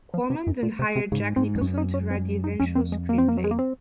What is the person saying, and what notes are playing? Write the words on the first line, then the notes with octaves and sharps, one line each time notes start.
Corman then hired Jack Nicholson to write the eventual screenplay.
F3
C3
F#2
A#2
C3
C3
G#2 C#3
G#2 C4
F2
F#2 C#4
D#4
C#4
C4
D#4
F2 C#4
C4
G#3
A#3
C4
A#3
F#3
G#3
A#3
C4